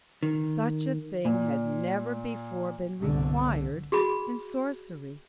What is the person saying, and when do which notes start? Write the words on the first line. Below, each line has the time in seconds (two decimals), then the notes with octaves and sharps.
Such a thing had never before been required in sorcery.
0.23 D#3
1.25 A#2
3.01 G1 C2 D3
3.92 F#4 G#4 B5